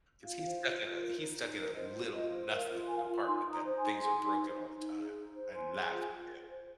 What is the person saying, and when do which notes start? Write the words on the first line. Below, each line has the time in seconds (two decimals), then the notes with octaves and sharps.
'Cause he's stuck in a he's stuck in a little nothing apartment that things are broken all the time. I laugh at him.
0.23 F4 F5
0.43 C5
0.61 F4
0.80 F4
1.00 A#4
1.18 D#4
1.37 D#4
1.56 A#4
1.75 C5 D#5
1.94 F4
2.13 F4 D#5
2.32 C5
2.47 D#5
2.51 A#4 F5
2.70 F4
2.88 A#4 G#5
2.96 F5
3.04 D#5 G#5
3.08 F4
3.20 D#6
3.26 D#4 G#5 C6
3.46 D#4
3.52 A#5 D#6
3.64 C5
3.77 G#5 C6
3.83 D#4
4.02 G#4
4.21 D#4
4.40 C5
4.59 D#4
4.78 D#4
4.97 G#4
5.16 D#4
5.34 C5
5.54 C5 G#5 C6
5.73 G#4
5.92 F4
6.11 F4
6.30 G#4
6.49 C5